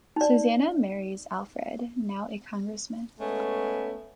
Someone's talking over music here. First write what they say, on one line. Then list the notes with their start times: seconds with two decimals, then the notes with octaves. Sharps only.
Susannah marries Alfred, now a congressman.
0.16 D#4 D5
3.20 G#3 A3 B3 C#4